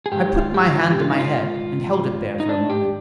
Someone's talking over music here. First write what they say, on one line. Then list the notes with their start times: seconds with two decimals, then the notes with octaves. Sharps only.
I put my hand to my head, and held it there for a moment.
0.06 G#4
0.12 G#2 D#3 G4
0.38 F4
0.54 G4
0.65 F4
0.91 G4
1.00 F4
1.10 D#4
1.19 F4
2.40 D#4
2.49 D4
2.70 G4